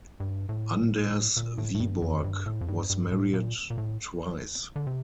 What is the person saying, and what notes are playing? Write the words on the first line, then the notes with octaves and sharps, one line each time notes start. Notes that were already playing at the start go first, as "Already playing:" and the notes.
Anders Wiborg was married twice.
G2
A2
A#2
A2
A2
G2
F2
G2
A2
F2
G2
G2
A2
A#2
A#2
A2
D3
C3